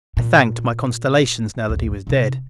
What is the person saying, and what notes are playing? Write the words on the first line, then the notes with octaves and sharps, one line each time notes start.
I thanked my constellations now that he was dead.
A#2
A#1 D#2
C3 D#4